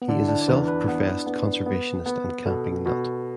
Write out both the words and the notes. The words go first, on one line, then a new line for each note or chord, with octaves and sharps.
He is a self-professed conservationist and camping nut.
B3
D3 D4
E4
D4
D5
E2 B4
B4
B3
B3
B3
B3
B2 A4
B2